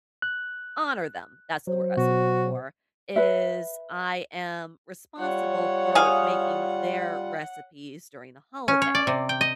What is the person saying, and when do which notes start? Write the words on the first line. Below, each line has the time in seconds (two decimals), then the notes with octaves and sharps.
honor them, that's the word I was looking for, is I am responsible for making their recipes during the holiday.
0.22 F#6
1.67 F#3 C5
1.97 B2 F#4
3.16 B4 E5
5.19 G3 F4 C#5 F#5
5.95 G#4 F5
8.68 C#4
8.82 C#5
8.95 D5
9.07 C3
9.29 G5
9.41 D#5